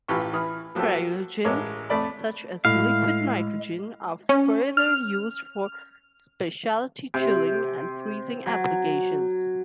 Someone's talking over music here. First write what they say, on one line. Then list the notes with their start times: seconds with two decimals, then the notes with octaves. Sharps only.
Cryogens, such as liquid nitrogen, are further used for specialty chilling and freezing applications.
0.08 A1 E3 F4 G4 B4 C#6
0.33 E3 B5 D#6 F6
0.75 F3 F#3 A#3 G4 A4
1.45 A1 G#3 A#4 C#5 D6
1.90 F2 A3 D5 B5
2.65 A2 G#3 F5
4.29 C#4
4.77 F6
7.14 C3
8.46 F#3